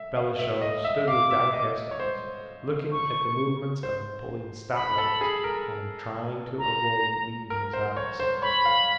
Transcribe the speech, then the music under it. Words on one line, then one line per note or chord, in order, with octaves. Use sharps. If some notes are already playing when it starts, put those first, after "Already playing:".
Balashev stood with downcast eyes, looking at the movements of Napoleon's stout legs and trying to avoid meeting his eyes.
Already playing: E5
F5
E5
D#5
E5
F5 D6
E5
D#5
C#5
C5
C#6
C5
B5
A4
G#4
A#4
A#5
A#4
C5
C#5
C5
C#5 B5
F5